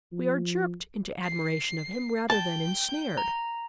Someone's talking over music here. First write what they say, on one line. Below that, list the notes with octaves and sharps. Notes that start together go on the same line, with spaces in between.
We are jerked into admiration of him, rather than ensnared.
F3
C7
G5 A5 G6
A#5